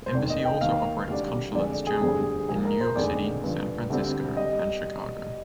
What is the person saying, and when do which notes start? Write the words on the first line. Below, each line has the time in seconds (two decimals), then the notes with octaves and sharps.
The embassy also operates Consulates-General in New York City, San Francisco, and Chicago.
0.06 C5
0.14 F1 D#2 D#3 D5
0.30 D#5
0.45 G5
0.61 D#2 D#3 A#3 F5
1.08 D2 C3 G3 D4
1.55 F2 D3 G#3 D5
1.87 G#4
2.02 F1 F2 D3 G3 C4 G#4
2.49 G#2 F3 A#3 G#4
2.65 A#4
2.81 C5
2.95 F1 D#2 D3 G#3 D5
3.44 G2 D3 F3
3.90 D2 D3 G3 C4
4.37 G3 D#5